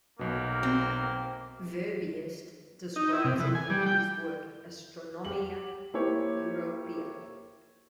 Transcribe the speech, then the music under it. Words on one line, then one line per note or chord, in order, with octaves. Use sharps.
Verbiest describes it in his work "Astronomia Europea".
B1 B2 A#3
C4
D#4
E4
C3
E3
G#5
G3
G5
G4 F#7
A#3 E4 G4 C5 C#5